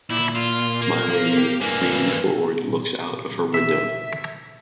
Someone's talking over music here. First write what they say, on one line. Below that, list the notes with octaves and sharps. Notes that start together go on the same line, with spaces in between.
My Lady, leaning forward, looks out of her window.
A#2 E4
F4
A#3
F3 F5
G4 G5
G2 A#3 B4 G#5
E5